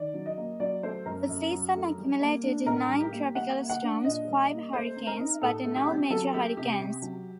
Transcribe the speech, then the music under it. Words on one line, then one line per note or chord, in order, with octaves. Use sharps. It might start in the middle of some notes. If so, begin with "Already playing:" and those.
The season accumulated nine tropical storms, five hurricanes, but no major hurricanes.
Already playing: D#3 D5
F#3
D#5
A#3
F#3 D5
A3 C5
F#2 A#4
F#2
F#3
A3
G3
A#3
D4
A2 A#4
G3
G4
A#3
G3 F#5
A#3
F#5
D4
A#2 D#5
G3
A#3
A3 C5
C4
A#4
D#4
A2 A4
A3
G4
C4
F#3 A4
A3 G4
C3 G4
C3
F#3